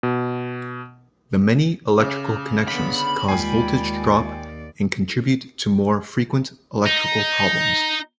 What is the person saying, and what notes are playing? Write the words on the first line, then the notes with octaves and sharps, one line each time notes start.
The many electrical connections cause voltage drop and contribute to more frequent electrical problems.
B2
C#3 D6
D3 B3 B5
D#2 G#3 F4 D5 G5 G#5
D#4